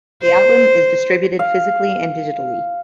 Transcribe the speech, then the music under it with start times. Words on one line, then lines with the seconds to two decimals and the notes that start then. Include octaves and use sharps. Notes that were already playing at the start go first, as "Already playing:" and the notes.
The album is distributed physically and digitally.
0.22 C5
1.39 F5